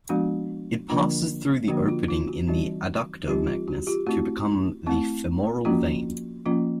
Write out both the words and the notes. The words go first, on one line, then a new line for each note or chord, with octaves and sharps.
It passes through the opening in the adductor magnus to become the femoral vein.
F3 G#3 B3 D4 F#4
D3 F3 A#3 D4 F4
D3 F3 A#3 D4 F#4
F4
F4
F#4
E3 G3 C4 D#4 F#4
E3 G3 C4 D#4 F4 G4
F4
F#4
F4 G4
A3 C4 E4 F#4
A3 C4 E4
F3 A#3 C#4 F4 F#4
F3 A#3 C#4 F4